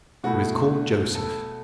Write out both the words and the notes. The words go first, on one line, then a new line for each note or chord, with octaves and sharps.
He was called Joseph.
B2 A3 E4 F#4
A4